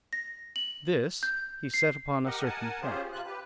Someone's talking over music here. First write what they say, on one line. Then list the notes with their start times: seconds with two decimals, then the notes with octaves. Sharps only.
This he set upon a certain point.
0.13 A#6
0.56 F#7
1.23 G6
1.74 C7
2.25 G4 A#4 D#5 F#5
2.44 A#4 F#5 G#5 A5
2.82 C#4 F4 G4 G#4 C5
3.12 C3 F4 F#6
3.25 G4 B4